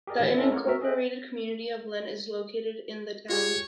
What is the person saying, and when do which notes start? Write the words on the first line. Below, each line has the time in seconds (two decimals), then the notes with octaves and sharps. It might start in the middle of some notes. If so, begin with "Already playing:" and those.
The unincorporated community of Lynn is located in the town.
0.07 G4 G#4 A#4 D5 D#5
0.19 A2 D#3 E3
0.34 C#4 D4 E4 A4 E5
0.50 G#3 A3 A#4 C#5 F#5
0.67 F#4 A#4 E5
0.81 G#4 A4 D#5 E5 G5 F#6
3.29 F4 G4 G#4 C#5